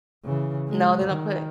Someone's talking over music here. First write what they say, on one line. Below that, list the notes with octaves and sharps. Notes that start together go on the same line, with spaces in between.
No, they don't put
C#3 E3
G#3
D#3